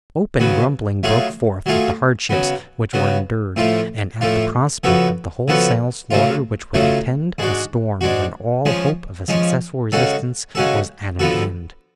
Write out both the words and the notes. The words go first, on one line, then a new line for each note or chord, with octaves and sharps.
Open grumbling broke forth at the hardships which were endured, and at the prospect of the wholesale slaughter which would attend a storm when all hope of a successful resistance was at an end.
C#3 F#3 B3
F#3 A3 F4 G#4
F#3 A3 F4 G#4
C#3 F#3 B3
C#3 F#3 B3
A2 F3 A3 F4
A2 F3 A3 F4
C#3 F3 B3 F#4 A4
C#3 F3 B3 F#4 A4
C#3 F#3 A3 F4
C#3 F#3 A3 F4
G#2 G#3 D4 F#4
G#2 G#3 D4 F#4
F3 G#3 C#4
F3 G#3 C#4
C#3 G#3 C#4 F#4 A4
C#3 G#3 C#4 F#4 A4
D3 F3 B3 F#4 A4